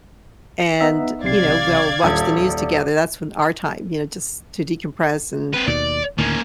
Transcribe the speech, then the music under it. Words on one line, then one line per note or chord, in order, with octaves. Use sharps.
And, you know, we'll watch the news together. That's when our time, you know, just to decompress and
B3 D#4 E5
B1 C3 D5 F5 G#6 C7
D#1 D#2
D5
C4 B4
D#2 B2 D#3 D5
D2 A2 D#3 A#3 C#4